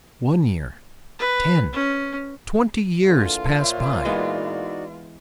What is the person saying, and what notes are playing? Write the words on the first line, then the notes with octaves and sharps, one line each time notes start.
One year, ten, twenty years pass by.
B4
C#4
D3 E3 A#3 F4
A#2 C5 C#5 E5
E3 G#3 B3 D#4 F#4 D5